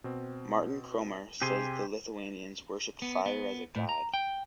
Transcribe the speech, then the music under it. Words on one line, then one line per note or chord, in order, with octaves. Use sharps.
Martin Cromer says the the Lithuanians worshipped fire as a god.
B2 C4
C3 G4 G#4 G#5 C6
B3
B3
A2
A#5
G5